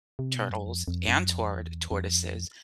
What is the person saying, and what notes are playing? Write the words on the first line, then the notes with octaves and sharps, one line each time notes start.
turtles and tort tortoises,
C3
B2
F#2
F2
F2
F#2
F2
E2
F2